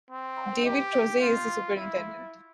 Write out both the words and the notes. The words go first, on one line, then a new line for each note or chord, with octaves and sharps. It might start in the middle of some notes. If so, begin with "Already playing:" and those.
David Kroeze is the Superintendent.
C4
G4
F4
E4